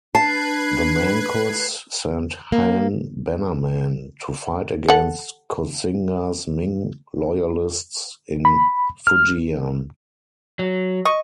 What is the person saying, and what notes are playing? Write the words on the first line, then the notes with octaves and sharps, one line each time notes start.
The Manchus sent Han Bannermen to fight against Koxinga's Ming loyalists in Fujian.
D4 B4 A5 F#6 G#6 C7
A#3
A4 F#5
B5
F6
F#3
D#5 C#6